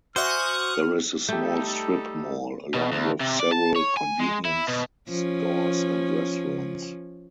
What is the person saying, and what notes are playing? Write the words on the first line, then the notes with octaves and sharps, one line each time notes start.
There is a small strip mall along with several convenience stores and restaurants.
F#4 C5 E5 G#5 C#6 D#6 F6 F#6
G3 A3 D#4 G4 A4 G6
B2
D2
C3
D5
A5
C#5
G#5
G#3
E4
B2
F3 C#4